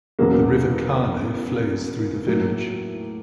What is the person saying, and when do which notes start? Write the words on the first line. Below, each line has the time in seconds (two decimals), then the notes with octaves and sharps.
The River Carno flows through the village.
0.19 E1 E2 C#3 F#3 A#3
2.26 A2 F#3 A#3